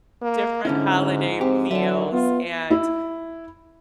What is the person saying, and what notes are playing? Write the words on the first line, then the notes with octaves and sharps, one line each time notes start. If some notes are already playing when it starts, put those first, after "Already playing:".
different holiday meals, and
A#3
G#2 D3 C#4 E4
C4 G4
D3 F#3 E5 A5
B3 F4
E4